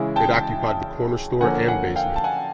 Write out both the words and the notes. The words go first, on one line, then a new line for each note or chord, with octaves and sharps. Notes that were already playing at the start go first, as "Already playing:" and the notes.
It occupied the corner store and basement.
Already playing: C#3 E3 G#3 C#4 E4
G5 A5
D3 F3 A#3 C#4 F#5 G#5
F#5 G#5
F5 G5
A5
F#5 G#5